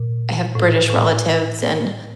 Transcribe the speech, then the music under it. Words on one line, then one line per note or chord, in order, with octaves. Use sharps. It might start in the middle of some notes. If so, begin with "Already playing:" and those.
I have British relatives, and
Already playing: A#2
A2
A2